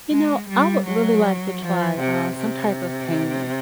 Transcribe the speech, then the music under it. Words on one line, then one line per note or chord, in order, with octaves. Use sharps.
You know, I would really like to try, uh, some type of painting.
G#3
G3
F#3
F3
C3
C3